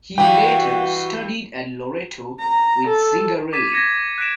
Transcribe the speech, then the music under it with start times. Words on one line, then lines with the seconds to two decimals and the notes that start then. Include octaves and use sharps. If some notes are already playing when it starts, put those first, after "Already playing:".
He later studied at Loreto with Zingarelli.
0.18 G2 E3 F#4 G5
2.39 A#5
2.88 A4
3.53 D6 G#6 A6 B6 D#7 E7
3.72 G#6 A#6 B6 C#7 D#7
4.18 F#6 A#6 B6 D7 E7